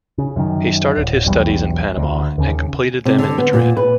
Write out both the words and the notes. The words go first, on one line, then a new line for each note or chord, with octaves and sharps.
He started his studies in Panama and completed them in Madrid.
C#3
F#2 D#3
D1
E1 B1 E2 G3
D2
D#2 C#3
C3
D3
B3
A#2
B4